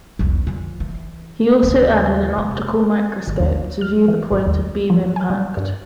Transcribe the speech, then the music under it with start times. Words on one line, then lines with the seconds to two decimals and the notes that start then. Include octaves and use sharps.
He also added an optical microscope to view the point of beam impact.
0.19 B1 E2
0.47 F2 D3
0.80 E3
1.63 D#2 C#3
2.38 F1
3.27 G#1
3.40 D#2
3.81 F6
4.08 E3
4.31 G#1
4.47 D#2
4.90 F3
5.16 G#5
5.30 G3
5.57 G2